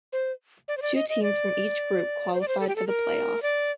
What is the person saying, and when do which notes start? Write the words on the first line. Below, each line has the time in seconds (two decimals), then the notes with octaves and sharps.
Two teams from each group qualified for the playoffs.
0.13 C5
0.68 D5
0.77 C5
0.82 D5
0.95 D#5
1.09 D#5
1.23 D5
2.33 C5
2.41 D5
2.48 C5
2.60 A4
2.68 G4
2.76 A4
2.87 A#4
3.42 D5